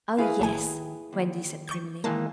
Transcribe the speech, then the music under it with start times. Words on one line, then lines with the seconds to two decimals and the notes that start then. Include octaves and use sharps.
'Oh yes,' Wendy said primly.
0.18 E4 G#4 B4 F5
0.40 A1 D#2 A3 G#5
1.13 D#2
1.68 C#6 G6
2.04 D#3 E3 G#3 A#3 A5